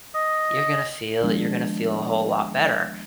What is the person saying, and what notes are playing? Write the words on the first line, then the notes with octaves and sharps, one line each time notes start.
you're gonna feel you're gonna feel a whole lot better,"
D#5
D#3 F3 G#3 A#3 B3 D4